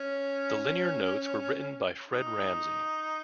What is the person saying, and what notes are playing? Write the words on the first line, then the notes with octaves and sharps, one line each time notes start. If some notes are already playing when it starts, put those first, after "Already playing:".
The linear notes were written by Fred Ramsey.
Already playing: C#4
D#4